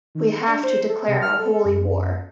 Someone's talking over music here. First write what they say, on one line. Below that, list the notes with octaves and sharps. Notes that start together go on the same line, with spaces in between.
We have to declare a holy war.
D#3
D4
C5
A4
C3
F6
A4
F#2